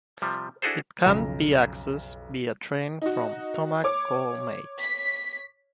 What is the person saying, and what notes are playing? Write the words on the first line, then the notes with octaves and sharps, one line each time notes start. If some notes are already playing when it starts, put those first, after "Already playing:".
It can be accessed via train from Tomakomai.
C3 F3 G3
D4 E4 F#4 G#4 A4 C5
B1 F2 C#3 A#5 A#6
D#4 F#4
C#5 D6
B6